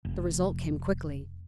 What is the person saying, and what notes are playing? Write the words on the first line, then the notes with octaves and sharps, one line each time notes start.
The result came quickly.
F1